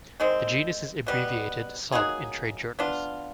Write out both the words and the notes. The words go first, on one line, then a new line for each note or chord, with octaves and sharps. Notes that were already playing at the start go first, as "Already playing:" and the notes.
The genus is abbreviated Sob in trade journals.
D#3 G#3 C4
B2 G3 B3
F#3 A#3 D#4 G#4
B3 D4 F4